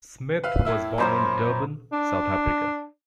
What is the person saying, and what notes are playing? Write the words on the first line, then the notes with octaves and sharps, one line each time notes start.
Smith was born in Durban, South Africa.
B4 E5 F5 F6
A2 E4 E6
F#2 A#2 C#4 A#4 C5 B5
D4